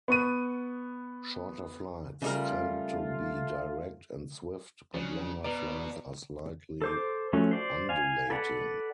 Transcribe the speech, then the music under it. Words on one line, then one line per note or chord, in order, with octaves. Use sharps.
Shorter flights tend to be direct and swift, but longer flights are slightly undulating.
B3 C#6 D#7
C#3 G3 A3 F4 A#4
C#3 F3 F#3 D4
B2 B4 D5 A#5
A4 C5 D6
F3 F#3 A3 C#4 F#4
C5 D5
F5 G#5
A4 B4 D5 F#5